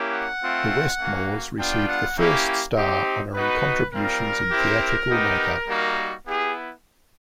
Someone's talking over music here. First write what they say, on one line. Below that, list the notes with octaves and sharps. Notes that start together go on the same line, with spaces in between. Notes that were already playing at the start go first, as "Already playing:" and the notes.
The Westmores received the first star honoring contributions in theatrical make-up.
Already playing: A#3 C#4 E4 G4
F#5
A3 C4 F4
A#3 C#4 F#4
G3 B3 D4 F4 G5
F#5
A#3 C#4 E4 G4
C4 D#4 G4
B3 D#4 F#4 B4
G3 C4 F4 A#4
C4 E4 G4
B3 D#4 G4
G3 A#3 D#4 F#4
B3 E4 G4 G#4